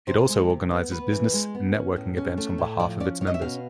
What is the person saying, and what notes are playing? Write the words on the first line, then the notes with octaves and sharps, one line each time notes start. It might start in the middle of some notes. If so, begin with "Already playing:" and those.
It also organizes business and networking events on behalf of its members.
C3 C5
G#3
C3
B3
B3 B4
E3
G#3
B3
C#4
A2
C#4
A3
A2
F3 D5
C#4 D5
C#4
D#5
E5
B2 F5